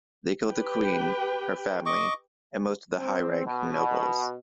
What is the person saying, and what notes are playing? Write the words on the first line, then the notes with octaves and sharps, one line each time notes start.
They killed the queen, her family, and most of the high-ranking nobles.
G4 B4 G5
D#5 C#6 D6
C4
B2